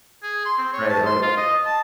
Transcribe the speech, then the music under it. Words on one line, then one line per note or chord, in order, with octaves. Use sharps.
right, like,
G#4
C6
C4
C#5
A5
C6
F4
D#5
A5